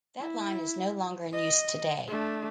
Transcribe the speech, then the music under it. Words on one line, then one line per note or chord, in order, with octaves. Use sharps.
That line is no longer in use today.
E4
D#5
A3 D4